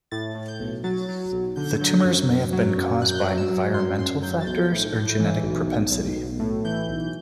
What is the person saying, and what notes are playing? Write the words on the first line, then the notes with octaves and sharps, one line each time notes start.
The tumors may have been caused by environmental factors or genetic propensity.
A2 A6
A2
G6
B1
F#3 A6
F#3
B1
D3 G6
F#3
F#2
F#2
F#3
F#2
F#2 F#6
G6
F#6
F#3
E6
F#3
F#2 C6
F#2 C6
F#3 G6
A6
B1 G6
A2
A2
E3
B1
B1
B1
B1
A2
E3 G6
B1